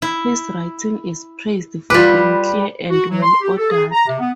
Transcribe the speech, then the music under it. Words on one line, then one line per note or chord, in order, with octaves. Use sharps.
His writing is praised for being clear and well ordered.
E4
G3 F4 B4 D6
F#4
F#3
C6
G4
A4
G#4
A#5
C3
B3